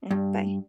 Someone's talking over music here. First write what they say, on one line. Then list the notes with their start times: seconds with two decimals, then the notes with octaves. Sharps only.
Mm, bye.
0.11 G2